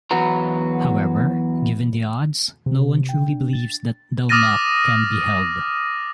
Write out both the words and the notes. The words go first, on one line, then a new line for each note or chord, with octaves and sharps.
However, given the odds, no-one truly believes that Delnoch can be held.
E2 F#3 F#4 B4 A#5
C3
G5
D4
A6
D6 D#6 F6 A6 A#6 D#7